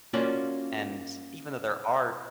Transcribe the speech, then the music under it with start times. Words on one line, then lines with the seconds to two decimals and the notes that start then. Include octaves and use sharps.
and even though there are
0.13 A#3 C#4 F4 F#4 D5